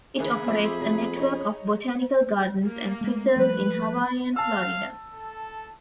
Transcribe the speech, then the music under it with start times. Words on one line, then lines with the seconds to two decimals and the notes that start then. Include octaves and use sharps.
It operates a network of botanical gardens and preserves in Hawaii and Florida.
0.19 D3 E3 A#3 G#4 B5
0.48 F2 C5 E5 D6
0.80 C3 F#3
1.17 D#4 C#5
2.65 A#3
3.01 G#3 A3
3.36 F3 G3 A3 B4
4.36 F5 A5 E6
5.15 A4